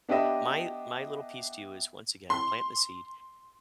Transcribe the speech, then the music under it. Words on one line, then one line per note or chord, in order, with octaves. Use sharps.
my my little piece to you is once again, planting the seed,
B3 D4 G4 B4 D#5 E5
C6